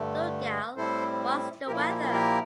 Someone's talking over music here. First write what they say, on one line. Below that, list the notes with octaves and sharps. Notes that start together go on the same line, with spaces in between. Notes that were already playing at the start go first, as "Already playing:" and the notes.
Dougal, what's the weather?
Already playing: G2 D3 A3
A2 G3 C4 E4 A4 C5
A#2 F3 A#3 E4 G4 A#4
A4
G4
A4
G4 A#4